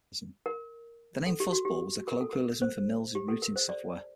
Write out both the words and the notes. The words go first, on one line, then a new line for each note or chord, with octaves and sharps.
The name "Fuzzball" was the colloquialism for Mills' routing software.
A#4
A4
G4
F#4
G4
A#4
A4
A#4
C5
G4
A4
A#4
C5
D5